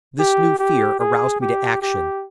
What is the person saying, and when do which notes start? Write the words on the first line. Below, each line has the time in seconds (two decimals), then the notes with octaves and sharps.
This new fear aroused me to action.
0.19 G4
0.59 G4
1.00 G#4
1.41 G4
1.82 G4